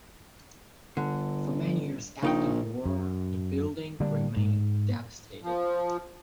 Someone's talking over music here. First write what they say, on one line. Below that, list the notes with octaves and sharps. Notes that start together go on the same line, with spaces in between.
For many years after the war the building remained devastated.
G1 D3
A#1 C#3 D#4 G5
F#2
D3 G3 A#3 D4
G#2
F3